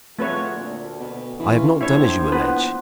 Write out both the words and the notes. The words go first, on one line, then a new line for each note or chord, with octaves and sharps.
I have not done as you allege.
F2 A3 F4 F#4 G#4 B4 C#5
D2 A#2
B2
C3 E3 C#4 F4
A#1 A2 F3 E4 C5 C#5
B3 B4